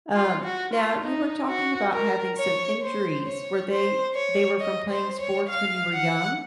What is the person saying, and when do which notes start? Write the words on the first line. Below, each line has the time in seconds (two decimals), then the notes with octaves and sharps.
Um, now, you were talking about having some injuries. Were they they were from playing sports when you were young?
0.14 F4
0.45 F#4
0.74 F4
1.04 D#4
1.48 F#4
1.92 A#4
2.37 C#5
2.82 C5
3.26 C#5
3.71 C5
4.15 C#5
4.60 D#5
4.90 C5
5.19 C#5
5.49 F5
5.94 F#5